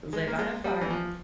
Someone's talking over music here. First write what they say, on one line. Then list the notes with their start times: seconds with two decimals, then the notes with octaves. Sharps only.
live on a farm,
0.13 G#3
0.28 A#3
0.39 G#3
0.64 G3
0.81 E3
0.90 F3